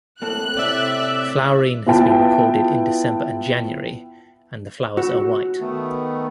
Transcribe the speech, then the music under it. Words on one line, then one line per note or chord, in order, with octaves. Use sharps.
Flowering has been recorded in December and January and the flowers are white.
A2 A#3 C4 A4 F#6
C3 D5 E5
B3 E4 F4 G5 A5
F#4
D#3 A3 B3